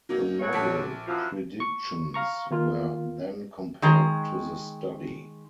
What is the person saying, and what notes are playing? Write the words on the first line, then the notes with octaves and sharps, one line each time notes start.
The model predictions were then compared to the study.
F#3 A#3 D#4
B2 F#3 C#5
A#1 A4 B6
F#2 E3 F3
C#6
F5 A#5 C#6
D#3 A#3 F4
D#3 G#3 A#5